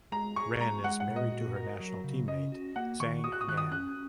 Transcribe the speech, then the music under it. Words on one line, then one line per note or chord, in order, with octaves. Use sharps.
Ren is married to her national teammate Zhang Yan.
G#3 A#5
G#4 C#6
G#3 A#5
G#3 F#5
F#5
A#2
D#5
F#4
A#4
F#3
C#3
C#4 D#5
F#4
A#3 F#5
D#3 C#6
F#4 D#6
F#6
D#6
D#3 F#6
D#6
C#4 F#6